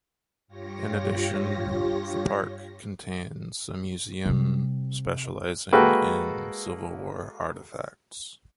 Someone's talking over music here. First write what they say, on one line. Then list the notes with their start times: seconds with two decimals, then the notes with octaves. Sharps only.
In addition, the park contains a museum specializing in Civil War artifacts.
0.48 G2 F4 G4 C#5 A#6
4.26 C3 G3
5.73 G#3 A#3 F#4 A4 B4 G5